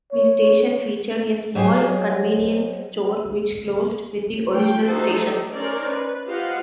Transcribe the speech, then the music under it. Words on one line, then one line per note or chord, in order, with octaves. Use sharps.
The station featured a small convenience store which closed with the original station.
C#5
F#3 G4 G#4 C5 D#5
A3 F4 G5
A3 D#4 F#4 A4 C5
G4
C#4 D#4 A#4 C5 D5
B4
F4 G4 C5 D#5 F5 F#5